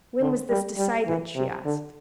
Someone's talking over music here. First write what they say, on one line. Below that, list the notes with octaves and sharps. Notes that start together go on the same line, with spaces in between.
"When was this decided?" she asked.
D3
G3
G3
E3
C3
D3